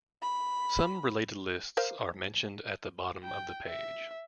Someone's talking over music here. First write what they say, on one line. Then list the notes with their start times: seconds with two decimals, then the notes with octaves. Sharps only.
Some related lists are mentioned at the bottom of the page.
0.22 B5
1.77 A#4 C5 F5
3.24 G5
3.66 E5